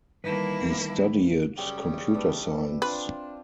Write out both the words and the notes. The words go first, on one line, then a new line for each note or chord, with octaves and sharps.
He studied computer science.
D#3 E3 G3 A#3 E4 B4 A5
F#2 C#3 G3 G5 G#5 E6
D4 B4 E5
C4 D4 F4 B4 C5